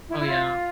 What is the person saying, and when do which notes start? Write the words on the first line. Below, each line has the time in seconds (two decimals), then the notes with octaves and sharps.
Oh, yeah.
0.09 E4
0.19 E4
0.27 F4